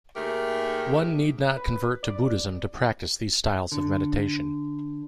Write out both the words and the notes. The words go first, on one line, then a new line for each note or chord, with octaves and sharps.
One need not convert to Buddhism to practice these styles of meditation.
D#2 A3 G4 G#4 A#4
B4
D5
D3